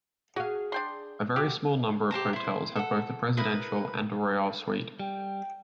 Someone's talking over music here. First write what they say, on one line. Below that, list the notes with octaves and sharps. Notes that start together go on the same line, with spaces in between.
A very small number of hotels have both a Presidential and a Royal suite.
F#4 G#4 F5
D4 G5 C6
F#4 G4
G4 C5 A5 A#5
E4 C5
A4 F#5
E4 A#4 B4 D#6
G3 G5